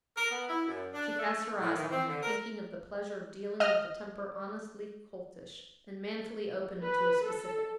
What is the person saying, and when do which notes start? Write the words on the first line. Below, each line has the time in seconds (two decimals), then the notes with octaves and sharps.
She cast her eyes on him, thinking of the pleasure of dealing with a temper honestly coltish, and manfully open to a specific.
0.18 A#4
0.31 B3
0.49 E4
0.67 F#2
0.93 D4
1.19 A3
1.60 A2
1.75 D#3
1.91 C4
2.08 D3
2.23 A#4
3.60 D#5 F6
6.82 B4
7.24 A4